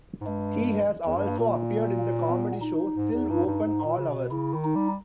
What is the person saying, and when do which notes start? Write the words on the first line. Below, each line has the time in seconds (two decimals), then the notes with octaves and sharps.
He has also appeared in the comedy show Still Open All Hours.
0.21 G#2
0.26 G2 G#3
1.06 E2
1.16 G2
1.28 A#3
1.39 A#2
2.28 B3
2.62 D#4
2.95 G#2
3.13 E2
3.30 G2
3.46 G2
3.63 G#2
3.86 A#2
3.98 C#3
4.08 B2
4.31 C#3 E4
4.54 D#3
4.64 D#4
4.75 G3